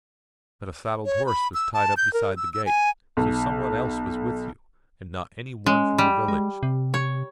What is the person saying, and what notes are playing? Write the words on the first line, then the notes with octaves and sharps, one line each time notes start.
But a saddled horse was tied up beside the gate. So some one else was with you, and not any one from the village.
C#5
B5
E6
A5
G6
A#4
E6
E6
G#5
B1
G#3 C#4
G3
G#3
C3
C#5